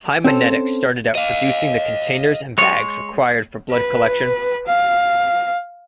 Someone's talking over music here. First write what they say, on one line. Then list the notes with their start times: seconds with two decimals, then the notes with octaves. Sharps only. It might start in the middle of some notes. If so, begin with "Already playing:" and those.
Haemonetics started out producing the containers and bags required for blood collection.
0.24 C4 C#4 A4 C5
1.15 D#5 F5
2.58 G#3 C#5
3.71 B4
4.67 F5